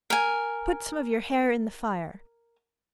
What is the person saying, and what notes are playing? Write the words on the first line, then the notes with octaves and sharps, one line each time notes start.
Put some of your hair in the fire.
A#4 G#5